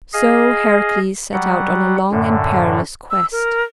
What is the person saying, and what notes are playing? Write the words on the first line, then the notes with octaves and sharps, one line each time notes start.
So Heracles set out on a long and perilous quest.
G#4 D#5 F5
F#3 G3 F#5
F#2 A2 D3
E6
A#4